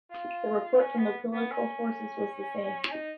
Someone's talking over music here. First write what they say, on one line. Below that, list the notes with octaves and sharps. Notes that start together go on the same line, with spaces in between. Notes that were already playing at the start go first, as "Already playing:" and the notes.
The report from the political forces was the same.
F4
C#4
B3
B3
C#4
D#4